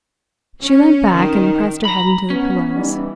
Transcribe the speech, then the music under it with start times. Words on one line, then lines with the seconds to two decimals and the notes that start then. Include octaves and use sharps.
She leant back and pressed her head into the pillows.
0.61 C#4
1.13 D#3
1.85 A#5 B5
2.30 B3 C#4
2.74 E3 G3 D#4